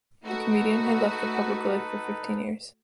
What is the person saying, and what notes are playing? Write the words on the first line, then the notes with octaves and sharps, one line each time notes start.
The comedian had left the public life for fifteen years.
A3 D#4 F#4 A4 B4